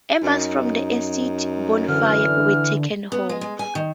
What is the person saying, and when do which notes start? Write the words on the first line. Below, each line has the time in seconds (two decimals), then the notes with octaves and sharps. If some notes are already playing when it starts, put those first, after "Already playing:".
Embers from the extinct bonfire were taken home.
0.22 F#2 D#4
1.88 D3 E3 F6
3.12 B3
3.29 G#3
3.41 G#3
3.59 G#5
3.75 D#3